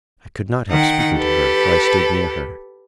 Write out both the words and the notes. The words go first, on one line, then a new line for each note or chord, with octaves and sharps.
I could not help speaking to her, for I stood near her.
D#3 F#5 G5
G4 A4 B4